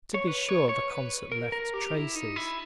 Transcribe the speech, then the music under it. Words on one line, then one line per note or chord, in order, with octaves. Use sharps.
To be sure, the concert left traces.
C#5
B4
C#5
C#5
B4
A#4
A#4
G4
E4
D#4
E4